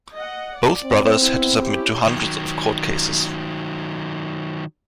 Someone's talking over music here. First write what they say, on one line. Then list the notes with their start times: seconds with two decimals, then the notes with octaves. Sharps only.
Both brothers had to submit to hundreds of court cases.
0.14 D#5 F#5
0.54 D5
0.84 C4
1.19 B3 E4
1.60 C#4 E4 G4
2.07 D#3 F#3